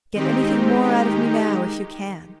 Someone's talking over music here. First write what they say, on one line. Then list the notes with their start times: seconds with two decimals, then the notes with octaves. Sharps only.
Get anything more out of me now, if you can.
0.15 D#3 G#3 C4 D#4 G4
0.82 D#3 G#3 D#4 G4